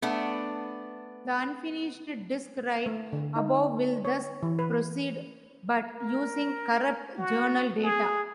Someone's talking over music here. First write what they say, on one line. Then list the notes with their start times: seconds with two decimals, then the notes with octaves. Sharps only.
The unfinished disk write above will thus proceed, but using corrupt journal data.
0.02 A3 B3 D4
2.86 A3
3.13 D3
3.36 D#4
4.05 C#5
4.43 E3
4.59 B4
5.96 A#4
7.18 F#4
7.83 G#4